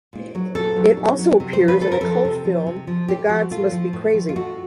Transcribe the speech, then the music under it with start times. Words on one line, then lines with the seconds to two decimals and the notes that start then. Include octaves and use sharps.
It also appears in the cult film "The Gods Must Be Crazy".
0.13 A#2
0.35 F#3
0.55 A#2 A4
0.76 F#3
0.97 A#2
1.19 F#3
1.40 C3
1.53 C5
1.61 F3
1.68 B4
1.81 C3 A4
1.92 A#4
2.01 F3 A4
2.25 C3
2.45 F3
2.67 C3
2.87 F3
3.08 A2 G4
3.29 F3 F#4
3.51 A2 F4
3.72 F3
3.93 A2
4.14 F3
4.29 F4
4.36 A2 F#4